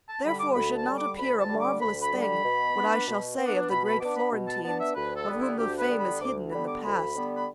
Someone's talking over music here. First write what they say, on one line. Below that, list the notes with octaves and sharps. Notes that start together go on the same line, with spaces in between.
Therefore should not appear a marvellous thing What I shall say of the great Florentines Of whom the fame is hidden in the Past.
A5
D3 G3 B5
D6
D2 B5
A5
D3 G3
D6
D2 B5
A5
D3 G3
D6
D2 B5
B5
D3 G3
B5
B2
B3 D4
B2
B3
D4
B2 B5
B5
B3 D4 D6
B5
B2
A5
B3 D4 A5
E5
D2 B4
A4
D3 G3 B3
E4
D2 G4
B4
D3 G3 B3
B5
D2 D6
D3 G3 B3 B5
D6
D2 B5
D3 G3 B3
B5